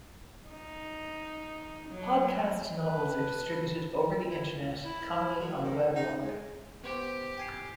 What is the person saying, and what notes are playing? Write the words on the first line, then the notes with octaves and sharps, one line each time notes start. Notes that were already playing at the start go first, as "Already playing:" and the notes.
Podcast novels are distributed over the Internet, commonly on a weblog.
D#4
F#3
B4 A5
E4
C#2
E4
F#3
D#3
D#4
G#3
B3 G4 C5
G5 G#5 C7